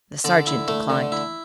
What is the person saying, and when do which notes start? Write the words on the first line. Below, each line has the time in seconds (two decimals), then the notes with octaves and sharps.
The sergeant declined.
0.24 D3 D5
0.47 E4
0.68 A3
0.90 D3
1.12 E4